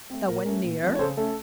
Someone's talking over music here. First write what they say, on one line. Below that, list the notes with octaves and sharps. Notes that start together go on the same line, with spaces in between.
No one near.
A3 C4
A#2 A#4
A3 C#4
A#2
F3 A3 C4
C#5
C#3 A4 C5
A3 C#4 A4